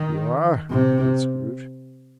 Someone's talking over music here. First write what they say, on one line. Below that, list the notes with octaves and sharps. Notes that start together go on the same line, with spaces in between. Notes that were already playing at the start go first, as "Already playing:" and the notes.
"You are?" repeated Scrooge.
Already playing: D#3
C3